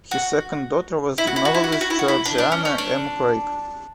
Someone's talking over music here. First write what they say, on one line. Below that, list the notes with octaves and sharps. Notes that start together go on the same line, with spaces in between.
His second daughter was the novelist Georgiana M. Craik.
F#4
E4
F#4
E4
F#4
E4
F#4
E4
F#4
E4
F#4
E4
D4
D4
C#4
C#4
D4